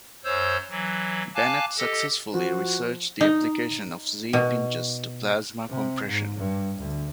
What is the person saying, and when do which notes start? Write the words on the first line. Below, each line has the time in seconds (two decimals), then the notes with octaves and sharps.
Bennet successfully researched the application of Z-pinches to plasma compression.
0.24 F#2 C5 C#5 E6 G6
0.70 E3 F#3
1.35 F5 G#5 A5 D6 F#6
1.78 G4 A4 D#5
2.34 F3 F#4
3.21 D#4
4.33 B2
5.69 C3
6.05 G#2
6.38 G2
6.79 D2